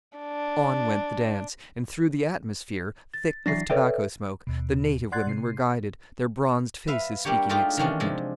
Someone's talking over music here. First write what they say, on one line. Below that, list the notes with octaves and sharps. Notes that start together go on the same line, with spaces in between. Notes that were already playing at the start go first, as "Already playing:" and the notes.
On went the dance; and through the atmosphere--thick with tobacco-smoke--the native women were guided, their bronzed faces speaking excitement.
D4
A6
E3 F#3 D4 A6 A#6 C7
A4 B4 C#5 D5 E5 G5
D#2 B2
D5 F#5 C6 F#6 G#6 A6
C3 C7
B4 E5 F5
G3 A#3 D4 G4 C#5
G#3 A3 D4 D#4 F4 G4
D#3 E3 C#4 D4 F4
C3 F3 G#3